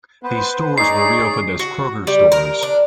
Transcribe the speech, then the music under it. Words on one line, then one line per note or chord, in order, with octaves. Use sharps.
These stores were reopened as Kroger stores.
B3 B4 C5
D#4 G#4 C#5 D5 C7
F#4
G3
A#4
D4